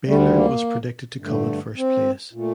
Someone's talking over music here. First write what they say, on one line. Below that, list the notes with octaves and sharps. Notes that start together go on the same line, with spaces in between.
Baylor was predicted to come in first place.
D2 D3 G3 A3
A#3
G2 D3 A3
C4
A#2 A3